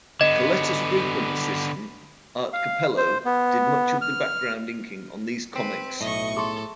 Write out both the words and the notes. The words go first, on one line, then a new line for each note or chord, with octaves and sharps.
Colletta's frequent assistant Art Cappello did much of the background inking on these comics.
D3 B3 D#5
F5
C5
B3
F6
C4 B4
B1 A2 D#5 E5 C#6
G#4 A4 C6 C#6